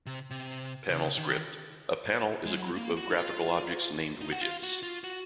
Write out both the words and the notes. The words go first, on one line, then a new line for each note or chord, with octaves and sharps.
Panel script: a panel is a group of graphical objects named widgets.
C3
C3
C#3
D#3
G#3
F#3
A#3
F#4
D#4
F4
D#4
F#4
F4
F#4
F4
F#4